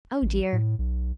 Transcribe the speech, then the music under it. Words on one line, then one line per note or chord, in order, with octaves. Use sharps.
Oh dear!
A1
A2
B1